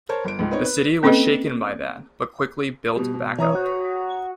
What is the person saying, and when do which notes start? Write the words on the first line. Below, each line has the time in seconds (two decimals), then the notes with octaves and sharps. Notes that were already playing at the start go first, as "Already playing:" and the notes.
The city was shaken by that, but quickly built back up.
0.09 A#4 C5 C#5 A5
0.25 G1 D7
0.39 C#2 G#2
0.51 B3 C4 D#4 C#5
0.64 B4
1.03 A#3 C4 C#4 A4 B4 D#5
2.96 B2 G3
3.14 B2
3.38 E3 C#5 A#5 D#6
3.55 F#4